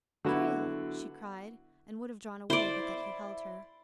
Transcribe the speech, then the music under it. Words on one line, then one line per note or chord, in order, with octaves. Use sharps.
"Frale!" she cried, and would have drawn away but that he held her.
D3 F#3 B3 E4 F#4
E4 C5 D5